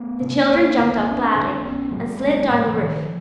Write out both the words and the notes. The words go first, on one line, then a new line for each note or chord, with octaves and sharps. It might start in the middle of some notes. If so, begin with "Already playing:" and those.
The children jumped up gladly, and slid down the roof.
Already playing: A3 B3
C3
G1 A#3 C4
F#2 D3
G1 C4 D4
F#2 D3
B1 B3 C#4
A2 F#3 G#3
B1 G3 A3
A2
E3
A1 D#3 F3